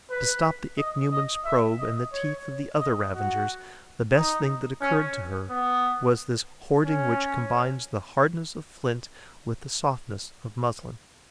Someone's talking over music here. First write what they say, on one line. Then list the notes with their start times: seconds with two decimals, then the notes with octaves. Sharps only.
To stop the Ichneumon's probe and the teeth of the other ravagers, the best thing that occurred to her was this hoarding which combines the hardness of flint with the softness of muslin.
0.11 B4
0.78 D#5
1.12 D#5
1.45 E5
1.79 D#5
2.13 C#5
2.79 D#5
3.13 F#4
4.15 D#4
4.82 C#4
5.50 B3
6.84 C#4